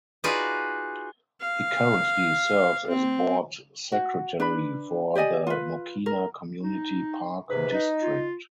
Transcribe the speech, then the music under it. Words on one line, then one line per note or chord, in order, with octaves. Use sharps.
He currently serves as board secretary for the Mokena Community Park District.
D#4 F4 F#4 G#4 B4 D5
F5
C4
F#4
D4 B4 B5
G4 D5 D#5 G#5
F4 B4
A#4
D#4
D#2 G#2 C3 B4
D#4
F4